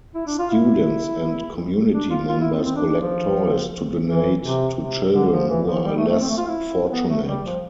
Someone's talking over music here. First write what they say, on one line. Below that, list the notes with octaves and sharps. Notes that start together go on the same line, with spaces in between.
Students and community members collect toys to donate to children who are less fortunate.
E4
D4
F4
E4
D4
F4
F4
E4
C4
C4
D4
D4
F3
E3
C3
C3
D3
F3
E3
F3
G3
A3
A3
C4
A3
F4
E4
B3
A3
G3
F3